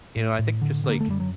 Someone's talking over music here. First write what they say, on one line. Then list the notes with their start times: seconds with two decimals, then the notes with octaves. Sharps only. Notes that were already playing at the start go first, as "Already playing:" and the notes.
you know, I think just like,
0.16 A2
0.39 A2
0.62 D3
0.84 D3
0.90 A#3
1.01 A3
1.07 F#2 G3
1.20 F#3